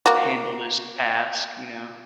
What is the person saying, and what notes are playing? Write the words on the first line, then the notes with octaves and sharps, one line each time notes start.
handle this task," you know?
A#3 F#4